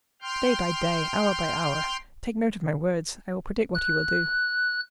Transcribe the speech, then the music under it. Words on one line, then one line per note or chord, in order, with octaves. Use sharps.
Day by day, hour by hour,--take note of my words,--I will predict what he will do.
G5 C6 F6 G6
F#6